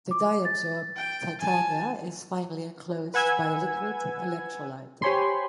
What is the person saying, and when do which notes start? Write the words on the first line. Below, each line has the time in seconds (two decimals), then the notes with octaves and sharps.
The dye-absorbed titania is finally enclosed by a liquid electrolyte.
0.11 D6
0.45 A6
0.96 G5
1.39 G#5 A5
3.14 B4 F#5 G#5 E6 G#6
5.02 G4 C5 C#5 G#5 B5 C6